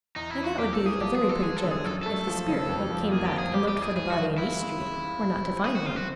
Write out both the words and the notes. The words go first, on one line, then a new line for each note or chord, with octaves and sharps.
Now that would be a very pretty joke, if the spirit when it came back and looked for the body in East Street, were not to find one.
E2 D#4
E4
E2
F#4
E2 G4
A4
E2
G#4
F3 G4
G#4
G#3
A4
G#3 G#4
A4
D3
G#4
F#2 A4
A3 A4
F3
C#3
F2
F3
A#3 G#4
G4
F2
G#4
G3 G4
G4
C2
G#4
C2 G#4
F#4
C2
E4 F4
G#3
C#4
F4
C2
C4
C2 G#4
F#4
C4 F4
F#4